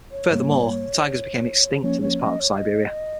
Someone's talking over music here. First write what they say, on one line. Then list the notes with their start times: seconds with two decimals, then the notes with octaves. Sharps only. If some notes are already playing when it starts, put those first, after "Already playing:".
Furthermore, the tigers became extinct in this part of Siberia.
0.11 C#5
0.30 G#2 G3 A#3
1.83 F3 A#3 C#4 C#5
2.02 C#5
2.21 D#5
2.40 C#5
2.53 F5
2.58 D#5